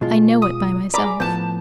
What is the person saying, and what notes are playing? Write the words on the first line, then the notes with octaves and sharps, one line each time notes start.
I know it by myself.
B2 G#3 F4
D#6
G#4 D5 A#5 B5 D6
A2 F3 B3 A5 G6